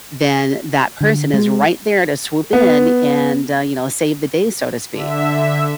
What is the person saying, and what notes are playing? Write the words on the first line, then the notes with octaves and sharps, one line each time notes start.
then that person is right there to swoop in and, uh, you know, save the day, so to speak.
D3
G#3
B3
D3 E5